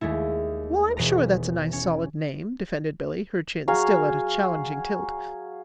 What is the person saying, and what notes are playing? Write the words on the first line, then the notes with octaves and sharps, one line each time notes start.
"Well, I'm sure that's a nice, solid name," defended Billy, her chin still at a challenging tilt.
D#2 G#3 A3 E4
E1 B4 A#5
C#4
F#3 G#4 F5 G#5